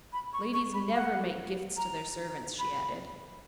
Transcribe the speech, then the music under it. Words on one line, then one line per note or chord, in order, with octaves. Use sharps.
"Ladies never make gifts to their servants," she added.
B5
C#6
C#6
B5
F#5
A#5
B5